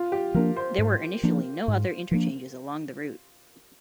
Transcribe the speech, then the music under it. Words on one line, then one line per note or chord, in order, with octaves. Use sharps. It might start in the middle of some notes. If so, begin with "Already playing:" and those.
There were initially no other interchanges along the route.
Already playing: F4
G4
F3 A#3 D4 A#4
C5
G#2
F3 A#3 D4
G#2
F3 A#3 D4